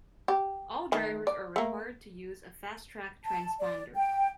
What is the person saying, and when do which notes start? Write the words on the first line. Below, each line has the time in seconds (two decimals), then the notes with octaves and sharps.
All drivers are required to use a FasTrak transponder.
0.28 G4
0.92 D#3 A3
1.27 D5
1.56 A3 A#3
3.25 A5
3.60 D5
3.96 G5